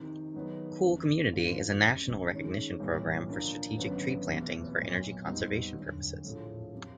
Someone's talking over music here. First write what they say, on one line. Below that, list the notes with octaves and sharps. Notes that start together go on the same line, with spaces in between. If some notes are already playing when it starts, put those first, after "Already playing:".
"Cool Community" is a national recognition program for strategic treeplanting for energy conservation purposes.
Already playing: F2 C3 D#3
D#3 F#3 B3 D#4 G#4
F#1 E2 C3
G2 E3 A3 D4 F4
F1 F2 C#3
D#3 G#3 C#4
B1 A2 E3 G3
D3 F3 A#3 D4
G#1 F#2 D3 F#3 B3
F1 E2 B2
B1 A#2 F#3
B2 G3 C4 D#4 F#4
D2 D3 F#3
A#1 A2 F3 A3
C3 F3